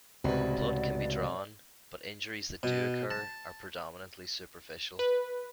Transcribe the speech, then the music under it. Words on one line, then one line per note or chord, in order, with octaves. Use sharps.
Blood can be drawn, but injuries that do occur are predominantly superficial.
C#2 A2 C3 F#4 B4 D5
B2
A5
B4